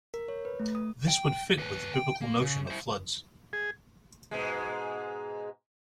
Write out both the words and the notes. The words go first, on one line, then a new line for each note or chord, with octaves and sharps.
This would fit with the Biblical notion of floods.
A#4
C#5
B4
A3
D#6
G5
D#2 B4
G5
A#3
C#3
E4 C5
G#4
G#2 B2 G#3